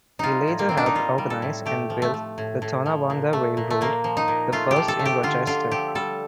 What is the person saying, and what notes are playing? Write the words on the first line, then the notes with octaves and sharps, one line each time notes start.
He later helped organize and build the Tonawanda Railroad, the first in Rochester.
G3 D#4 F4
A2
A#3
G3 C4
D4
D#4
G3 F4
G3
A4
A2
A3 G4
F3
A3
A3
A2
A2
F3
A#2
A3
A#2
A3
A#2 A#3
F3
D#4
A#2
A3 F4
G4
F3
A4
A3
G4
D3 F4
D3 F4
F3 G4
G3 A4